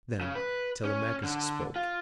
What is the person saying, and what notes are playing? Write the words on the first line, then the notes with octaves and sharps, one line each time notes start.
Then Telemachus spoke.
C#3
B4
C#4
D3
F4